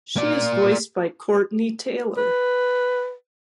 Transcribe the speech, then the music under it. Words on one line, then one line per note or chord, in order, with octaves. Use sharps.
She is voiced by Courtenay Taylor.
A#3 D5
B4